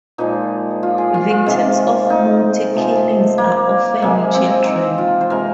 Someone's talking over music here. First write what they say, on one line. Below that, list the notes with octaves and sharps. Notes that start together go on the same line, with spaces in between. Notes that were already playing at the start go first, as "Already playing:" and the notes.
Victims of muti killings are often children.
A#2 F3 G#3 D#4
F4
G#4
F4
F4
C3 D#3 G#3
D#4
C3 F3 G#3
A#3
C3 G#3 A#3
C4
D#4
F4
C5
C3 G#3 A#4